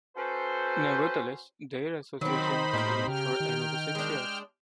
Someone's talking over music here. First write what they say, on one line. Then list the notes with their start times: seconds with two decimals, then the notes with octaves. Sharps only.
Nevertheless, their association continued for another six years.
0.16 C#4 F#4 A4 B4 C5
2.21 D#3 F#3 C4 D#4 C5 B5
2.73 A2 G4 A#4
3.08 C#3 G5 F6
3.40 D#3
3.95 G#3 D4